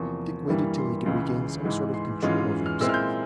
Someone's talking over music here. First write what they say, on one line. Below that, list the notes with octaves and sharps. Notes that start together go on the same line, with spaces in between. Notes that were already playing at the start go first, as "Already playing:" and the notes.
Dick waited till he could regain some sort of control over himself.
Already playing: E2 C3 F3 A#3 C#6
G2 E3 G3 A#3 E4
C6
C#2 C#3 E3 G#3
G#2 E3 G#3
C6
G#2 E3 G#3 C#4 F4
F6
A#2 G#3 C4 E4 E6
F6
G6